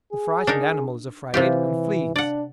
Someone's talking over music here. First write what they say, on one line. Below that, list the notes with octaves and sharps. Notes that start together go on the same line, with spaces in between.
The frightened animal is afraid and flees.
G#4
D4 D#4 A#4
C3 E3 F4 G4
D4 D5 F#5